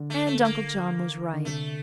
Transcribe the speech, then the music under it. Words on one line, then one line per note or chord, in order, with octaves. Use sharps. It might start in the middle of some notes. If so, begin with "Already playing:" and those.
And Uncle John was right.
Already playing: D3
A3
A3
A3
A#3
D3
C3 A3